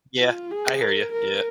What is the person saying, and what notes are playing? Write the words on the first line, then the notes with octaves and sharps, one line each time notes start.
Yeah, I hear you, yeah.
F4
G#4
A#4
A#4